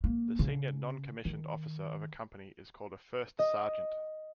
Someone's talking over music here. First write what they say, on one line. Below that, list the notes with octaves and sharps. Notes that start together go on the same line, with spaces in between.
The senior non-commissioned officer of a company is called a first sergeant.
A#3
C#3
D#3
D#5